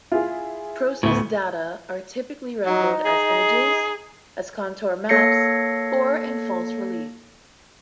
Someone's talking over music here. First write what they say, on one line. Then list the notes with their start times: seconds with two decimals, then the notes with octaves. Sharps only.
Processed data are typically rendered as images, as contour maps, or in false relief.
0.12 E4 F4 G#4
1.03 D2 A2 B3 C#6
2.66 F#3 D#4
3.05 G#4
5.09 A#3 A4 C#5 A#6 C7 C#7